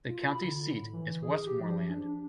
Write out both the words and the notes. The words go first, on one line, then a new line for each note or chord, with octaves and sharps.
The county seat is Westmoreland.
F4
B5
D3
A2
E3
G#4
G4
F3
D4